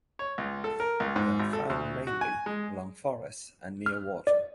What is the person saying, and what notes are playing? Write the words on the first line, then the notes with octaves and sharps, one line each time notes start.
They are found mainly along forests and near water.
C#5
C#2
A4
A#4
C#2
G#2
G#1
A4
D2
F#4
G#5
G#3
F6
D5